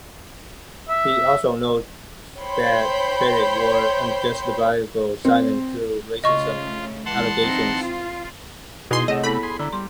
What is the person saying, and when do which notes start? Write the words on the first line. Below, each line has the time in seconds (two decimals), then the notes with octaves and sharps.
He also notes that critics were unjustifiably silenced through racism allegations.
0.89 E5
2.40 C5 C#5 G5 B5 C6 G6
5.25 C4
6.24 C#3 A3 F4 D#5 C#6
7.05 E3 G#3 F#5 A5 C6
7.41 E3 C4 D#4
7.82 F4
8.91 B2 D#4 E4 G#4 G#5 C6
9.08 C3 A3 G#4 C#5 D#5 F#5
9.24 B3 E4 A4 B5
9.43 G#4 C6
9.59 D3 E4 D5 A#5
9.73 G3 C6